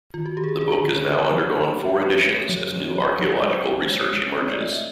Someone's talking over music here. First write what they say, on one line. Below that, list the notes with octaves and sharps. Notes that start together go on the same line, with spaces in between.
The book has now undergone four editions, as new archaeological research emerges.
D#3 F4
F#4
D#3 G4
G#4
G4
D4 G#4
G#4
D3 G#4
C#5
A3 C#5
F#3
A3
G4
B4 C#5
A3
F#3 C#5
F#3
F#3 C#5
F#3
D5
G#3 C5
F#4
G#3 C#5
G#3
C4 C#5
D5
A3 D#5
E5